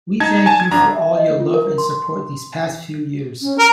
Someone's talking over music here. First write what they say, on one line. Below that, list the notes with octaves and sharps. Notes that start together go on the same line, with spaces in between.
We thank you for all your love and support these past few years.
D#4 A5 G#6
G#5 A5
G#6
G#1 D4 A#5
E5
D#5
F4
A#4
C6
C6
C#4
A#4 A#5